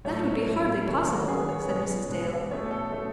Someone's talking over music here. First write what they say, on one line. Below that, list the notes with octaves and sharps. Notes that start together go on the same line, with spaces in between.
"That would be hardly possible," said Mrs. Dale.
A2 F#3 A3 C#5
A2 F#3 A3
D#2 C#3 F#3 C#5
F#4
D#2 C#3 F#3 G#4
B4
C#5
B2 G#3 B3 C#5
B2 G#3 B3
B2 A3 C#5
A4
B2 A3